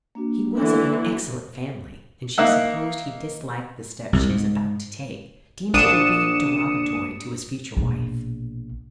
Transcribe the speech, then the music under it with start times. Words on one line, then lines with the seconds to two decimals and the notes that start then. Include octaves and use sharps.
He was of an excellent family, and she supposed he disliked the step she was about to take--deemed it would be derogatory to his future wife.
0.15 A#3 D4 F#4
0.56 D3 E3
2.38 A#3 D#4 E5 F#5
4.13 C2
4.29 G#2
5.74 A#1 D4 D#6 C#7 D#7 E7
7.77 A#1 B2